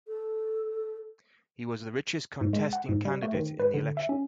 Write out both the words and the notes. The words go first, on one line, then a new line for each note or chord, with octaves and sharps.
He was the richest contesting candidate in the election.
A4
G#2
G#3
F#5
G#2
G3
A3
D#3
B4
D3
E5
C#4